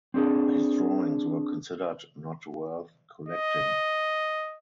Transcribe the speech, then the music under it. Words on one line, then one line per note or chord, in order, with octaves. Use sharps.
His drawings were considered not worth collecting.
C4 D4 G#4 A4
D#5